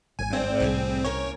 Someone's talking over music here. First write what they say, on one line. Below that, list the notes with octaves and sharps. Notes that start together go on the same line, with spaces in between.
The Vent-A-Hood?
G#1 G#5
C4 C5 D5
C2 A2 G3 G#4
A#3 C#4 A#4 C#5